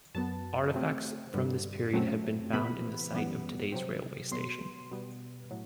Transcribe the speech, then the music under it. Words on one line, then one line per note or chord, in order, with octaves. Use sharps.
Artifacts from this period have been found in the site of today's railway station.
F#2 F#3 B3 A5
C3 F#3 A3 C4
G2 D3 G3
F#2 F#3 A3 C4
C3 E3 B3 B5
F#2 E3 G3 B3
C3 F#3 C4
B2 F#3 B3 C6
B2 G3 B3
A2 F#3